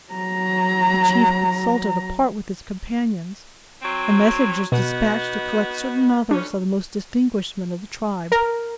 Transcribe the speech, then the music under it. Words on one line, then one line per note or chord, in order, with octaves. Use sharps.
The chief consulted apart with his companions, and messengers despatched to collect certain others of the most distinguished men of the tribe.
F#3 A#5
F#3 C4
B2 B3 D#4 F#4
D2 C#4 D4
A#4